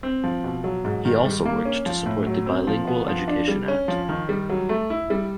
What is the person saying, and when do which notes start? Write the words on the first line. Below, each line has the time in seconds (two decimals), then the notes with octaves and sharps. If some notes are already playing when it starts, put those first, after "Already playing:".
He also worked to support the Bilingual Education Act.
0.03 C4
0.24 F3
0.44 B2
0.64 F#3
0.85 G#2
1.05 D#3
1.25 G3
1.45 A#3
1.65 C#4
1.86 F3
2.06 A2
2.26 F#3
2.46 C4
2.67 F3
2.87 B3
3.08 F3
3.28 D4
3.48 G3
3.68 C#4
3.88 F3
4.09 D#3
4.29 G3
4.49 F#3
4.69 A3
4.90 E4
5.10 G3